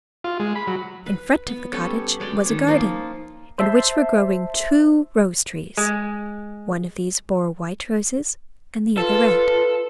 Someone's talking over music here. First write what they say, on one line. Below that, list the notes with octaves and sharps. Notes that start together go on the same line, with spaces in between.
In front of the cottage was a garden, in which were growing two rose trees; one of these bore white roses, and the other red.
F4
G#3
B5
F#3
B4
B3
G3 B3 C#4 A4
F#3 G#3 D5 G5
D#3 C#4
F3 A#3 D#4 F4
C5 E5 A5 C6
G#3
F4 A4 B4